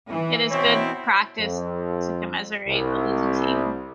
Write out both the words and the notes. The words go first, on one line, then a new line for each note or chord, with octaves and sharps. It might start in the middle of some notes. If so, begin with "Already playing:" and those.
It is good practice to commiserate the losing team.
E3
B2 C4 E4 C#5
F2
C2